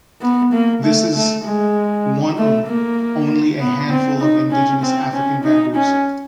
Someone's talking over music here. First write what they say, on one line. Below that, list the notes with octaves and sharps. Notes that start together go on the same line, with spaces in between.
This is one of only a handful of indigenous African bamboos.
B3
A#3
A3
A3
G#3
A3
A#3
B3
C4
D#4
C#4
C4
C#4
D#4
C#4